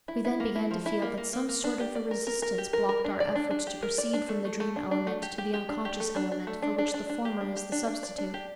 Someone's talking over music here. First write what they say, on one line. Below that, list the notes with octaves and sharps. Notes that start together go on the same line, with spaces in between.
We then began to feel that some sort of a resistance blocked our efforts to proceed from the dream element to the unconscious element for which the former is the substitute.
E4
E4
A#3
E4
F3
E4
A#3
A#3
A#3
A#3
D4
G4
D5
A#4
A#4
A#4
G4
A#4
A#4
D4
D5
D4
D4
G4
A#4
D5
D4
A3
A3
A3
D4
D4
A3
G4
G4
G4
D4
G4
A3
D4
D4
A3
D4
D4
D4
D4
G4
D4
G4
D4
D4
D5
D4
G4